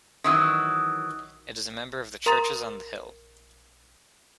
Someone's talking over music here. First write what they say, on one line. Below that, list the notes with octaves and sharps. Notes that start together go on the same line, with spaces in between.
It is a member of the Churches on the Hill.
D#3 E3 F#3
A#4 A#5 C6 D#6 A6